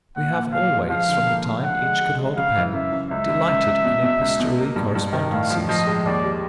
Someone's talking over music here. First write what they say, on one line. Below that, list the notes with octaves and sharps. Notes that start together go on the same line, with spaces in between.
We have always, from the time each could hold a pen, delighted in epistolary correspondencies.
A#2 F#5
A#2
F3 F5
G#3
F3 F5
D3
A#3
F3
D3 F#5
G#3
G#3
G#3
C#3 F5
E3
F#2 E5
F#2
C#2 E5
C#2
C#2
C#2
B2
B2
C#2
B2
A#3
G2
G2
D#3
A2 F5
F3
F3 D#5
G#3
D#2 D5
G3